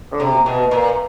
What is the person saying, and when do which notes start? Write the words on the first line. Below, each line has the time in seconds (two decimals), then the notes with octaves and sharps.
Oh, no.
0.20 C3
0.46 B2
0.71 A#2